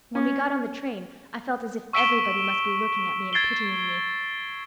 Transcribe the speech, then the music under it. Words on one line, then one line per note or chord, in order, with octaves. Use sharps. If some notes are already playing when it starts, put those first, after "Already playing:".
When we got on the train I felt as if everybody must be looking at me and pitying me.
C#4
C#6 E6 B6 D7 E7 G7
G#6 A6 C7 D7 G7